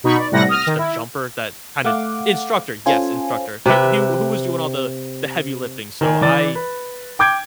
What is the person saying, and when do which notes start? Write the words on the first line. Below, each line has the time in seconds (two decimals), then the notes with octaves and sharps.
a j just a jumper that kinda Instructor, yes, instructor, h who who was doing all the the heavy lifting, so I
0.04 B2 D#4 B5 C#6
0.17 D5
0.32 A2 C3 G3 F#5 A#6
0.49 D#6 F6 A#6
0.67 D#3
0.78 E4
1.85 A3 F5 F#5 D6
2.86 C#4 F4 A4 C5 G#5
3.66 C3 G4 B4 E5
6.01 D#3 G#5
6.21 E3 D5 A6
6.55 B4
7.19 G5 D6 G6 G#6 D7